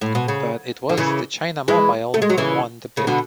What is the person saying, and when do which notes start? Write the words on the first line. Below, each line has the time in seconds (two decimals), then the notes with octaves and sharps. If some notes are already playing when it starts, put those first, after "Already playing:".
But it was the China Mobile who won the bid.
0.01 A2
0.15 B2
0.28 C#3
0.89 D3
0.97 C#3 E3
1.68 E3 G#3
2.14 A3
2.22 G#3
2.30 F#3
2.38 C#3 E3
2.97 C#3
3.07 B2 D3